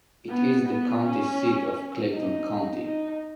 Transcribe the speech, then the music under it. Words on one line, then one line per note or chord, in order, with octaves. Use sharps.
It is the county seat of Clayton County.
B3
B3
C#4
D#4
D#4